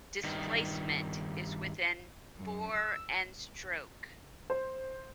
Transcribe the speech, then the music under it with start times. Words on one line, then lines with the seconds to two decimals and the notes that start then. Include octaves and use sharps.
Displacement is with an bore and stroke.
0.24 G2 D#3
2.37 F#2
2.73 E6
4.50 C5